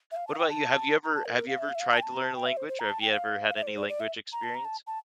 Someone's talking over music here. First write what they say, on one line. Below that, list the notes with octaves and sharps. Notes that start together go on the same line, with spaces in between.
What about you? Have you ever have you ever tried to learn a language or have you ever had any language experience?
E5
F5
A5
F5
G5
A5
A#5
A5
A#4
A#4
F5
E5
F5
E5
F5
A5
G5
A5
A#5
A5
G5
E5
C5
C5
A#5
A5
G5
F5
F5
E5
D5
C5
D5
D5
E5
A#5
A5
A#5
A5
A5